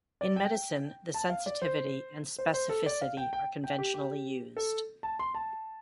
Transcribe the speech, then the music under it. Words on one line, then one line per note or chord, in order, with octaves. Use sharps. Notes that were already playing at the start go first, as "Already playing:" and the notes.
In medicine, the sensitivity and specificity are conventionally used.
D5
G5
A5
F5
D5
C5
C5
C5
A4
D5
F5
G5
G5
G5
G4
G4
A4
A5
C6
A5